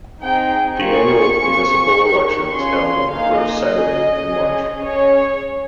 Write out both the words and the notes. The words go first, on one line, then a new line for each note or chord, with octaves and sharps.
The Annual Municipal Election is held on the first Saturday in March.
C4 D#4 G#4 G5
A#3 F4 G#4 C#6
C4 F4 G#4
A#3 D#4 G4
C#4 F4 G#4 C6
A#3 D#4 G#4 F5
D#5
C#4 G#4
C#4 G#4
C#4 G#4 C#5